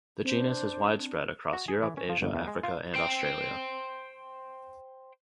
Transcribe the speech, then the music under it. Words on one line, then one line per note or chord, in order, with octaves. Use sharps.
The genus is widespread across Europe, Asia, Africa, and Australia.
C4 D4 C5
F#4
G#4
E3
C#4
F3
G1
E2
G#3
F4
C5 G5